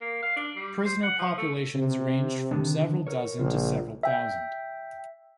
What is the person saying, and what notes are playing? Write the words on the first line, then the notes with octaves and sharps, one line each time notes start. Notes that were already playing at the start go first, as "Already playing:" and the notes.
Prisoner populations ranged from several dozen to several thousand.
A#3
F5
D4
G3
C5
F#5
F3
A3
C3
D3 D#3
A#4 C#5
A#1 C#3 F4
E5 G5